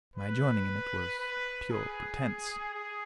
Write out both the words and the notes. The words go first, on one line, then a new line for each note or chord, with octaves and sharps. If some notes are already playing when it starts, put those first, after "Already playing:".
My joining in it was pure pretence.
B4
B4
G#4
G#4